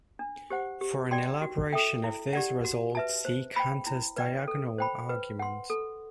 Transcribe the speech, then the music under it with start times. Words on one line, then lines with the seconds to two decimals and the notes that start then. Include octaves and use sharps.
For an elaboration of this result see Cantor's diagonal argument.
0.19 D4
0.50 G4 C5 F#5
0.81 G4
1.11 D5 G5 C6
1.42 F#4
1.73 A4 E5 G5
2.04 E4
2.33 G4 D5 F#5
2.65 F#4
2.95 B4 E5 A5
3.25 C5
3.56 G5 B5
3.87 E4
4.17 B4 D5 G5
4.48 A4
4.78 C5 G5 B5
5.09 B4
5.39 F#5 C6
5.70 A4